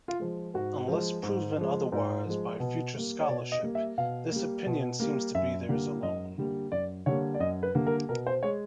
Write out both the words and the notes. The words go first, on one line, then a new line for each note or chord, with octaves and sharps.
Unless proven otherwise by future scholarship, this opinion seems to be theirs alone.
F4
F3 G#3
G#2 F#4
F3 G#3
G#2
F3 G#3
G#2
F3 G#3
B2
G3 A#3
C#5
B2 D5
D#5
G3 A#3
E5
B2 F5
G3 A#3
B2
G3 A#3
F#2 E5
D3 G3 A#3
F#2 D#5
D3 G3 A#3
F#2 D5
D3 G3 A#3 C#5
D5
F#2 D#5
B4
D3 G3 A#3
A#4
B2 A#4
C5
G#3 C#5